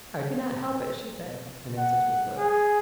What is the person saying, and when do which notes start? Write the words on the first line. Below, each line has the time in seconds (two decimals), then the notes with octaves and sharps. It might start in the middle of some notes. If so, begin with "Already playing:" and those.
"I could not help it," she said, in answer to his look.
1.78 F#5
2.37 G#4